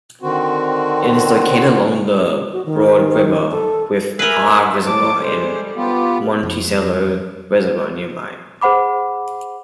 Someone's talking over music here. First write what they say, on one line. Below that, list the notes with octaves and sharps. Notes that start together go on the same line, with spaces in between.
It is located along the Broad River, with Parr Reservoir and Monticello Reservoir nearby.
D3 D#3 C4 F#4
F#4
D#3
A4
A#4 B4 E5 G#5
A2 A5 D6
D3 G3 G#3 C5
B3 F4 G4
F2
G#4 C5 F#5 B5 D6